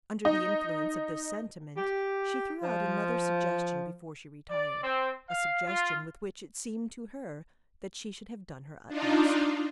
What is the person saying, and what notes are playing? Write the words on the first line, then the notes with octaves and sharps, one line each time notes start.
Under the influence of this sentiment she threw out another suggestion before she retired--a suggestion with which it seemed to her that she should have done her utmost.
D#4
G4
F3
D5
C4
F5
F4
D4 D#4 F4